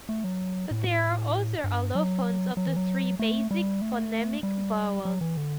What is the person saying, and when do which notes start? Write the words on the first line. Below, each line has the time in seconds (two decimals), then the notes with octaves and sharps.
But, there are other allophones of the three basic phonemic vowels.
0.09 A3
0.24 F#3
0.71 A2
1.64 G2
1.95 F#3
2.57 F#3
2.67 E3
2.76 F#3
3.19 A3
3.51 G3
3.81 A3
4.43 G3
5.05 F#3
5.21 E3
5.37 D3